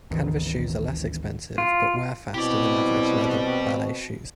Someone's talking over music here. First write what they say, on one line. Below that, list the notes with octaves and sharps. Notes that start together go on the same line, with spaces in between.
Canvas shoes are less expensive but wear faster than average leather ballet shoes.
G#1 D2 D#3 E3
F4
B2 C4 E4 G4 D5